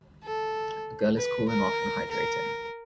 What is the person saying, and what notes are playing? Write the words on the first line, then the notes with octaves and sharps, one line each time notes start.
A girl is cooling off and hydrating.
A4
B4
A#4
A#4